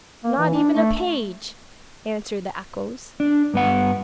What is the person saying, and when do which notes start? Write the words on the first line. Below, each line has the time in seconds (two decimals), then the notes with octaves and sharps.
'Not even a page!' answered the echoes.
0.24 A#3
0.38 E3
0.54 D4
0.75 A3
3.20 D4
3.54 G2 B3 F#5